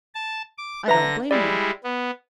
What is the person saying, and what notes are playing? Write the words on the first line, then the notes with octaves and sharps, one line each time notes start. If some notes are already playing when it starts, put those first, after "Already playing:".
I don't blame you.
A5
D6
D3 B4 E5 A#5 A#6
G3 G#3 E4 D5
B3